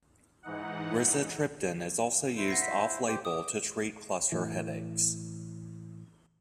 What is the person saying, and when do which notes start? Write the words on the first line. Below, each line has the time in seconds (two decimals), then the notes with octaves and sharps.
Rizatriptan is also used off-label to treat cluster headaches.
0.43 G#2 E3 D#4 F#5
2.37 E4 C5
2.48 F#5 A#6 C7
2.62 B6
3.08 G4 C5
3.25 D6 D#6
4.32 A2 E3